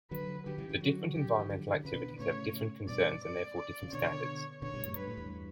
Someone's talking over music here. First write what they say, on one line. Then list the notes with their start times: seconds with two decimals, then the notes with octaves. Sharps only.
The different environmental activities have different concerns and therefore different standards.
0.11 D3 F#3 B4
0.46 D3 F#3 G4
0.58 C#3 E3
0.69 C#3 E3
0.81 D3 F#3 F#4
1.15 C#3 G4
1.27 D3
1.39 E3
1.50 D3 F#3
1.67 E3
1.76 D3
1.85 C#3 B4
1.94 B2 D3
2.19 A2 C#3 C#5
2.88 G2 B2 D5
3.23 D5
3.58 D5
3.83 C#3
3.93 B2 D3 C#5
4.62 B2 D3 C#5
4.74 G2 B2
4.85 F#2 A2
4.96 G2 B4
5.08 A2
5.17 E2 G2